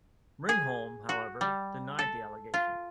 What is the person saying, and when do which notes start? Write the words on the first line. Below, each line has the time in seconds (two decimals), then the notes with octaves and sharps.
Ringholm, however, denied the allegations.
0.49 G#4
1.09 F#4
1.41 G3
1.99 A4
2.54 F4